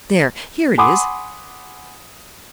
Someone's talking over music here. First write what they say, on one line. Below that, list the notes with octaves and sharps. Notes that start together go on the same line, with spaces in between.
There, here it is.
F#5 G#5 B5 C6 D6 D#6